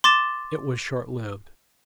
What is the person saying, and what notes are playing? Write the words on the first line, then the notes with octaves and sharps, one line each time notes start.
It was short-lived.
C6 D6 A6 E7